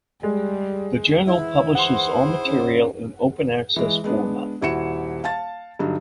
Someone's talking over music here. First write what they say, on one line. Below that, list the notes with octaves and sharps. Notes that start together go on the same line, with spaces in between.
The journal publishes all material in open access format.
G3 G#3
E3 E4
E4 G#4 C5 F#5 C6
C#4
E3 G#3
G#3 B3 D4
D#1 E4 F#4 C#7 E7
F5 A5 A6
G2 D3 F#3 D#4